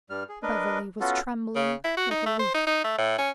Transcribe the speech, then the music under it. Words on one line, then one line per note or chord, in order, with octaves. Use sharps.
Beverly was trembling like a leaf.
G2 G3 F6
G#4
D4 A#4 B4 D#5
B3 C#4 F4 F#4 A4
C#3
E4
F#4
D#4
A3
C5
D#4
D#4
A3
A2
C#4